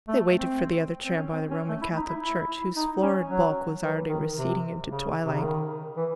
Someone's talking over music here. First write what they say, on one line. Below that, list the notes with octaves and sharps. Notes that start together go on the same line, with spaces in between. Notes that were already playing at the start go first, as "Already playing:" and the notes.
They waited for the other tram by the Roman Catholic Church, whose florid bulk was already receding into twilight.
A3
C4
C4
C#4
C4
C#4
A3
E4
D#4
E4
E4
D#4
C#4
F#3
E3
D#3
C3
C#3
C3
C#3
D#3
E3